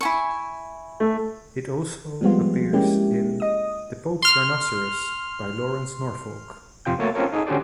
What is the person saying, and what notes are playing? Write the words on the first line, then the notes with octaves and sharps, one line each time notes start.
It also appears in "The Pope's Rhinoceros" by Lawrence Norfolk.
E4 G#5 C#6
A3
F3 G3 G#3 B3 C4 F4
G#3 A#3 C#4 E4 G4
D#5 D#6
C6 F6
F2 C3 F4 G5 G6
A3 A#3 F#4 C#5 E5 A6
C4 C#4 F4 A4 A#4 C#5
D#4 G#4 A4
D3 C#4 F#4 G4 C5 D5